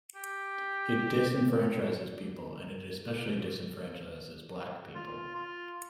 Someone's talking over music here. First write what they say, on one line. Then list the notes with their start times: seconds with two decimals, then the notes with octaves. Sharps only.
It disenfranchises people and it especially disenfranchises black people.
0.15 G4
4.95 F4
5.35 F4